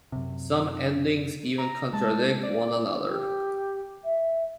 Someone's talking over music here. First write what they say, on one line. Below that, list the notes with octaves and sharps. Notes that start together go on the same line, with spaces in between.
Some endings even contradict one another.
F#2 C3
A#5
G#3 A5
D5
G4
E5